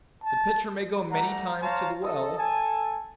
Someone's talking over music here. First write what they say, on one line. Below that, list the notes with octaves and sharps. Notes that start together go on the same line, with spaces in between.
The pitcher may go many times to the well....'
A5
G3 A3 F#5 A#5
C5 C#5 F5 A5 A#5 C6
A4 D#5
A4 G#5 A5